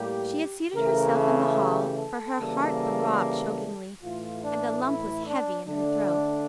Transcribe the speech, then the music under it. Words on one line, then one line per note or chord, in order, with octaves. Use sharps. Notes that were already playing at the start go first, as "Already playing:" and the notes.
She had seated herself in the hall, for her heart throbbed chokingly, and the lump was heavy in her throat.
Already playing: A2 G3 A#3 G4
C#3 E3 A3 A#4
A4
G4
A4
C#3 E3 G3 A#3
A2 E3 A3 F4
D4
E4
D4
D3 A3 D4